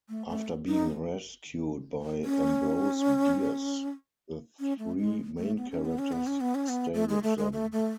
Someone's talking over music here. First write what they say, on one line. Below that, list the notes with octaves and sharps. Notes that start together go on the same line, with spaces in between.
After being rescued by Ambrose Bierce the three main characters stay with them.
A3
A3
D#4
C#4
C#4
A3
G#3
A3
B3
C#4
B3
C#4
B3
C#4
B3
C#4
B3
A3
G#3
A3
G#3
A3
A3